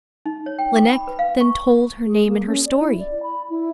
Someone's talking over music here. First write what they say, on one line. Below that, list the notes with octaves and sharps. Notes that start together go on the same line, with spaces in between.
Lineik then told her name and her story.
D#4
C#5
G5
D6
B5
B4
F5
C#6
G#4
A#3
C#4
D5
E4
D5
B5
E4